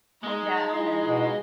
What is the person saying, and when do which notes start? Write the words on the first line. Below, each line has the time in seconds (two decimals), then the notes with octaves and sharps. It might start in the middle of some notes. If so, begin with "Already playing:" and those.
tone deaf and,
0.24 G#3 D#4
0.73 E4 F4 F5
1.05 B2